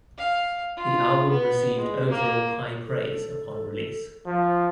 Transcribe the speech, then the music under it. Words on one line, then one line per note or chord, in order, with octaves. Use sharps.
The album received overall high praise upon release.
F5
F4
B3
G#3
A#3
A4
F3